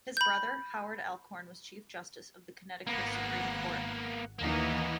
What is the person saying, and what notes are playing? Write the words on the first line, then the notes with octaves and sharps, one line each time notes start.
His brother Howard Alcorn was chief justice of the Connecticut Supreme Court.
B5 G6
G#1 A#3 B3 F#5
D#2 E3 A#3 B3 D#4